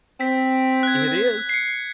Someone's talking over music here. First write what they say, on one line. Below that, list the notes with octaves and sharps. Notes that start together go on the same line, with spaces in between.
"It is."
C4 B6
F#6 G#6
C7 C#7